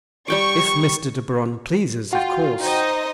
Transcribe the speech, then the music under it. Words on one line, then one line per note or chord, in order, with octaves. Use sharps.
If Mr. De Baron pleases, of course.
G3 G5 C#6 D6
F4 F#4 G5
D#4 C5 D#5